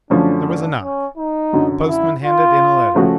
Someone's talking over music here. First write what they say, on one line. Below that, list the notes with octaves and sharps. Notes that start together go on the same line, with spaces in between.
There was a knock-the postman handed in a letter.
F#2 D3 F3 A3 C#4 D4
D4
C#4
D#4
F#2 D3 F#3
E4
F4
C#3 F3 A3 C#4 F#4